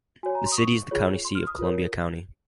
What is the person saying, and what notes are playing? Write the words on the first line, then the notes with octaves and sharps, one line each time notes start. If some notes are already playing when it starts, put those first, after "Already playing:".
The city is the county seat of Columbia County.
F#4 C#5 G#5
A#5
C6
D#6
C#6
F4 G#4 C#5
C6
F6
D#6
F4 A#4 C#5